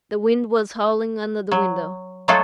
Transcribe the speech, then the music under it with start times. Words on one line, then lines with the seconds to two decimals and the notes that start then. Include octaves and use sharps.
The wind was howling under the window.
1.52 F#3
2.28 F#3 G#3 A3 F4 F#4 A4